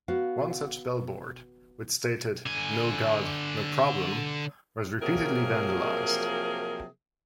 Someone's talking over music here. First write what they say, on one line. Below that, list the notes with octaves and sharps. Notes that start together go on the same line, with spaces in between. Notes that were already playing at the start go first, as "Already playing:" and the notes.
One such billboard, which stated "No God...No Problem" was repeatedly vandalized.
B3 F#4 F5
D3 G#5
C3 F3 F#3 A#3 G#4 A#4